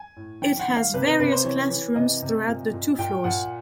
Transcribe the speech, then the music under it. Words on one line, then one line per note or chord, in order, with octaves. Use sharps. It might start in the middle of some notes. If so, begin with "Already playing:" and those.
It has various classrooms throughout the two floors.
Already playing: G#5
A2
D#3 G5
F#5
D#3
F5
C3 B4
B4
C3 B4
C5
E3 C#5
E3
C3 D#5
C3
A#2
A#2
A#2 G5
A#2 F#5